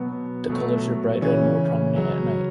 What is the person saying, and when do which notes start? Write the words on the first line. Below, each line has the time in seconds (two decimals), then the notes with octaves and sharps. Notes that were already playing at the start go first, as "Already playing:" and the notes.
The colors are brighter and more prominent at night.
Already playing: B2 F#3 B3
0.49 B2 F#3 A3
1.22 C#3 E3 C#4
1.95 C#3 F#3